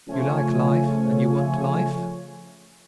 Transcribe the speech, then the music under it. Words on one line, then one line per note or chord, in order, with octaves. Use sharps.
"You like life, and you want life?"
C#3 F3 A3 F4 C#5 G#5